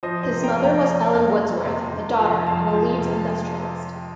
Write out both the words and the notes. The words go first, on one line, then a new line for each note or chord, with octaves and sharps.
His mother was Ellen Wordsworth, the daughter of a Leeds industrialist.
F3 C5 D#5
C5 D#5
C3
G5 A#5
F2
G5 A#5
F2
F2
F2
C3
C3
F3
F2 F5 A5
F3
C3